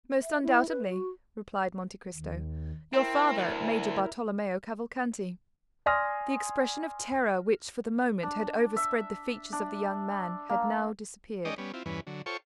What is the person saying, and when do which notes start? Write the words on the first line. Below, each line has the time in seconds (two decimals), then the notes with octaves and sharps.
"Most undoubtedly," replied Monte Cristo; "your father, Major Bartolomeo Cavalcanti." The expression of terror which, for the moment, had overspread the features of the young man, had now disappeared.
0.22 E5
0.42 E4
0.69 B4
0.89 F#4
2.14 D#2
2.93 C4 E4 A#4
3.38 D2
5.86 D5 G#5 C6 D#6 F6 A#6
8.23 D4
8.77 E5
9.53 D4
10.49 A#3
11.45 G#3 C#4 D#4 D5 D#5 G5
11.58 G3 B3 C#4
11.74 C4 E4 F4
11.86 E2 G2 E3 C#4 B4
12.07 D3 F#3
12.26 F4 A4 C5 C#5 G5 C#6